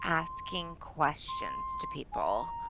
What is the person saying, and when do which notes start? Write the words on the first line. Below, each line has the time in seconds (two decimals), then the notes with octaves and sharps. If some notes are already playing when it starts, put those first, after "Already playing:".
asking questions to people
Already playing: C6
1.28 C6
2.12 G#5
2.21 A#5